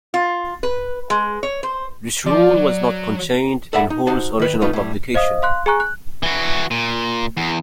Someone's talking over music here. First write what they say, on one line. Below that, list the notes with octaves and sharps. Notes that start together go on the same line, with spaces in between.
This rule was not contained in Hoare's original publication.
F4
B4
G#3
C#5
C5
F3 D5
F#3
A4 D5 E5 F#5 A5 B5
D#4
D#4 F#4 C5 A5
D#3 B4
C#2 A3 D#4 F4 B4
A2 G3
C5 D#5 F5 D#6
F5 C6 F#6
G#4 G#5 A#5 C#6 F#6
F#6
E3 F#4
A#2
E2